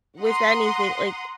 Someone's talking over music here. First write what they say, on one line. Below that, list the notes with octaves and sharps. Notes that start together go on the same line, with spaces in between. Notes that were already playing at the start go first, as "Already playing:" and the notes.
with anything like,
F#5 A#5 C6 D#6